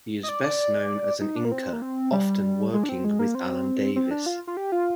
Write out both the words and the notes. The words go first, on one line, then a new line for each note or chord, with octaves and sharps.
He is best known as an inker, often working with Alan Davis.
D#5
D5
D5
D#4
D4
A#3
C4
A#3
C4
G3
G#3
D4
C4
G#3
A#3
C4
C4
D4
F4
F4
G4
F4